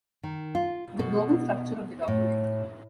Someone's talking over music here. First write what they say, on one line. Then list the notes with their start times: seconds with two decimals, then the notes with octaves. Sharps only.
The global structure of the document.
0.23 D#3
0.55 F4
0.99 B2
2.08 A2